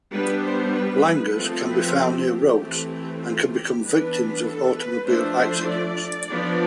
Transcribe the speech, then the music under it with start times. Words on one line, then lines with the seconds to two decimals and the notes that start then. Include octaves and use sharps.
Langurs can be found near roads and can become victims of automobile accidents.
0.12 G3 B3 D4 B4
0.43 C5
0.74 B4
1.35 F3 A3 C4 A4
1.66 B4
1.97 G4
2.59 E3 A3 C4
3.21 F4
3.52 G4
3.82 E3 B3 D4 B4
4.44 A4
4.75 B4
5.05 F3 A3 D4 C5
5.36 C5
5.68 D5
6.29 F3 B3 D4